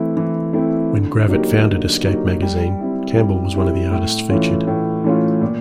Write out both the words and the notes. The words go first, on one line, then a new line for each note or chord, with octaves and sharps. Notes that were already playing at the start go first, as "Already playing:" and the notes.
When Gravett founded "Escape Magazine", Campbell was one of the artists featured.
Already playing: E3 A3 C4 E4
E3
A3 C4 E4
D3
F#3 A#3 D#4 G4
D3
F#3 A#3 D#4 G4
G3
C4 E4 G4
G3
C4 E4 G4
A2
E3 A3 C#4 F4
A2
E3 A3 C#4 F4
A#2